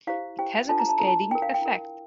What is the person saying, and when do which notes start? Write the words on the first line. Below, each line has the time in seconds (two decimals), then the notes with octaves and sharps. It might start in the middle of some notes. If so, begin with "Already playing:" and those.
It has a cascading effect.
0.07 E4 G4 C5 F5
0.38 E4 G4 C5 G5
0.69 D4 F4 A4 C5 A5
0.79 A#5
0.89 A5
0.98 D4 F4 A4 C5 A#5
1.08 A5
1.31 E4 A#4 G5
1.42 F5
1.54 G5
1.62 E4 A#4